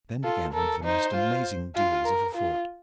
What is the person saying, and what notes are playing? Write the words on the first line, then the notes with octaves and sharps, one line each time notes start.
Then began one of the most amazing duels ever fought.
F4 A4
A4 A#4
D#4 C5
F4
F4
A#4
F4